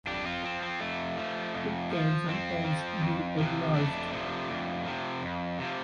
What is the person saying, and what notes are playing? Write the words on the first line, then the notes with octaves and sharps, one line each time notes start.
It can sometimes be enlarged.
F2 D4 G4
C4 F4
F3 C4
C4
F2 A3
F3
F2
F3
F2 C4
F3
F2
C3 F3
F2 A3 D4
C3 F3
F2
C3 F3
F2
C3 F3